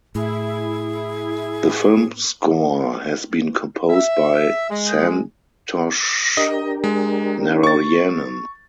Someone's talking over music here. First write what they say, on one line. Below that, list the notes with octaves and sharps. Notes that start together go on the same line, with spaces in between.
The film score has been composed by Santhosh Narayanan.
A2 E4 G#4
E5
G#3
D4 G4 A#4 D#5
G#3
C#6 A6